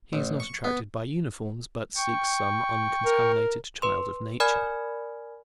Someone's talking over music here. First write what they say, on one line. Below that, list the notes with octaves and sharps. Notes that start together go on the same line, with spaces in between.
He is not attracted by uniforms, but seeks some uncontaminated child of nature.
A1
C#6
B3
G5 C#6
A#4
B4 C6
A#4 D5 G#5 B5 F6 G#6